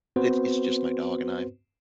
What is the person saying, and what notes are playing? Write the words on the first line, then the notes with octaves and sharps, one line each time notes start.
it's it's just my dog and I;
B3 C4 F#4 B4 C5